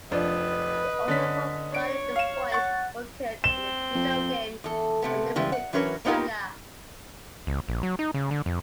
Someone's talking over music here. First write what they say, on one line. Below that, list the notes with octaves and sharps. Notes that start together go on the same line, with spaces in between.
He also provided the voice for Kurt in the video game "Unlimited Saga".
F1 F3 D4 B4 D#5
D3 C#4 B6
D4 C#5 D7
F5 E7
F#5 C#6 A6
C4 E7 G7
F2
E2 A4
C3 A3 B3
C#3 E3 G3 G#3
F#5
E3 F#3 C#4 A#4 B4 C#5
A#3 B3 D#4 F4 G4 A#4
C#2
A#1
F#3
D#4
C#3
D3
F2